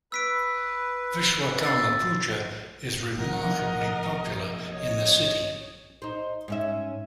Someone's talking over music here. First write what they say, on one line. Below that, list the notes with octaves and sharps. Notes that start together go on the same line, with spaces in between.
Vishwakarma Puja is remarkably popular in the city.
B4 E6 B6 D7
E6 A6 C7
B1 C3 F3 A#4 D#5 F#5
C#5 D#5
D#4 C5
G#2 C#4 E5